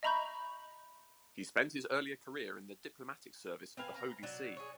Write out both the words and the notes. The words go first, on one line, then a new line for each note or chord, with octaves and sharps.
He spent his earlier career in the diplomatic service of the Holy See.
D#5 E5 A#5 B5 C#6 G6
C4 B4 F5 G#5
A#5
F#3 D4
G#4 C#5